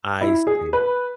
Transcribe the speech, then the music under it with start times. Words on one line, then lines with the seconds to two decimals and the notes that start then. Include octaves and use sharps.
I see.
0.21 E4
0.47 G#4
0.73 B4